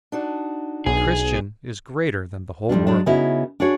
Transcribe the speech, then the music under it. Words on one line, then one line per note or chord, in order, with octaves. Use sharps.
A Christian is greater than the whole world.
D4 D#4 F#4
B1 G#4
F2 G#2 G3 D4
F#3 G#3 D4
C#3 B3 C#4 D#4 E4 F#4
D4 F#4 G#4 C#5